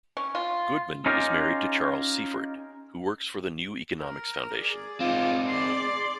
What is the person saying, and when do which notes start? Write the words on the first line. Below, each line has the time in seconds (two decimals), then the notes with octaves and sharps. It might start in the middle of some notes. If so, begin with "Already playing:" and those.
Goodman is married to Charles Seaford who works for the New Economics Foundation.
0.17 C#4
0.35 F4
1.06 C#4 D#4 F4 G4 A#4
3.99 A#4
4.57 G#4 D5
5.00 C4 D#4 F4
5.48 G#4 D5 C6